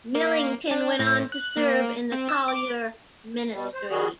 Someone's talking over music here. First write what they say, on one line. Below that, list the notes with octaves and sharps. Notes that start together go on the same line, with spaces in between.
Millington went on to serve in the Collier Ministry.
A#3
D4
A2
F#6
A#3
C4
E6
D6
B2 G3
C5
D#3 G3 F#4 G#4